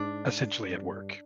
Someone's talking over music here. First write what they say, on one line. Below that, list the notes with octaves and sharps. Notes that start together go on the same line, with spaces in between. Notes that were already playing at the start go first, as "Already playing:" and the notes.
essentially at work.
Already playing: G#2 D4
G2